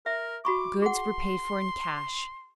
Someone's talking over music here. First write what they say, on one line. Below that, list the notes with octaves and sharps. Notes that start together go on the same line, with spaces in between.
Goods were paid for in cash.
A#4 E5
F#4 B5 C#6 D6
G#4 F#5 C6